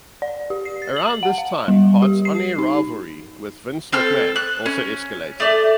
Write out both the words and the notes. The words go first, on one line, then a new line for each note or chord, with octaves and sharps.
Around this time, Hart's on-air rivalry with Vince McMahon also escalated.
D5
G4
C7
A6
F#7
F#5
F5
G3
G4
C7
D#4
C4 A4 F6
F#6
C#4
A3 D5